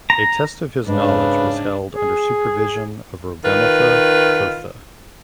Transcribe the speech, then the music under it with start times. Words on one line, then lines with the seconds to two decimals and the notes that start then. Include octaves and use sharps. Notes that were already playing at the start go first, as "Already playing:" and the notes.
A test of his knowledge was held under supervision of Raghunatha Tirtha.
0.10 A#5
0.87 G#2 C#3 D4 B4
1.93 G#4
3.44 D#3 F4 B4